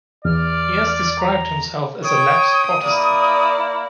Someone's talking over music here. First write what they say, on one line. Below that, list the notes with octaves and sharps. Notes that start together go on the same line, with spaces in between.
He has described himself as a lapsed Protestant.
E2 D5 F6
A#5
C#5 G5 D#6
A#3 E4 D5